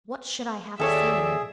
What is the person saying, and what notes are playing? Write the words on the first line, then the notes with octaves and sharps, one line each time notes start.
"What should I have to say to you?"
D#2 G#4 A4 C#5 D5 E5